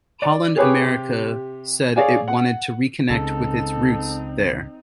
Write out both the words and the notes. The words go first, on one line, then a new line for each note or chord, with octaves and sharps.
Holland America said it wanted to reconnect with its roots there.
D5
G4 G#4 B4 C#5 D6
C3 G4
G#4 C#5 D5 F5 G#5
F#5
C#2 C#3 C4 D#4 A4